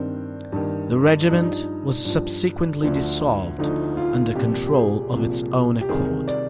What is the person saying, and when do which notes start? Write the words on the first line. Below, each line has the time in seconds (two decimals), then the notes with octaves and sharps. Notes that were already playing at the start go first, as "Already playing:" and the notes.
The regiment was subsequently dissolved under control of its own accord.
Already playing: G2 D#3 C4
0.52 G2 D#3
1.29 G2 F3 D#4
2.05 G2 F3
2.82 D2 D3 F3
3.58 D2 D3 F3 D#4
3.97 F4
4.35 C2 A#2 F3 G4
4.67 G4
4.74 G#4
5.12 C2 A#2 F3
5.81 G4
5.89 C2 C3 D#3 G#4
6.28 D5